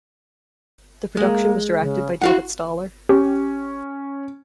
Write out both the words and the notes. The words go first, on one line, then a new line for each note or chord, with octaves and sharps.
The production was directed by David Staller.
G#3 A#3
C#3
E4 F#4 F5 F#5
C#4 G4